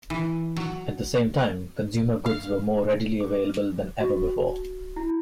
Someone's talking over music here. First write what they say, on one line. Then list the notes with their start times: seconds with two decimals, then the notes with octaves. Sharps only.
At the same time, consumer goods were more readily available than ever before.
0.10 E3
0.57 F#3
2.26 F5
3.20 D6
4.00 F#4
4.96 E4